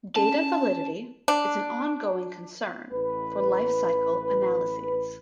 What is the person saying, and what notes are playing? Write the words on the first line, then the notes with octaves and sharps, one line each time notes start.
Data validity is an ongoing concern for life cycle analyses.
C#4 A5
D4
A1 B4